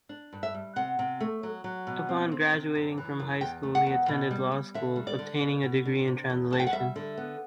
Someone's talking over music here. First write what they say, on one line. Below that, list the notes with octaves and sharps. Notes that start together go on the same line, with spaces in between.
Upon graduating from high school, he attended law school, obtaining a degree in translation.
D4
G2
E5
G3
C3 F#5
C3
A3
F#3
F#3
B2
C4
C4
C3
F#2
E3
F#2
E2 G5
A3
F#5
E2
B2
G3
G3
D3 E5
G3
D5
D3
B2
B2
D4
C3
E2
E2 A5
G5
F#5
G3 E5
D3
B3